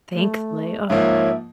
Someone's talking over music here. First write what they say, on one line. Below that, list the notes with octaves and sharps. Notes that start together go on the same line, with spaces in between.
Thankfully, ugh.
A3
G#2 F3 A#3 C#5 E5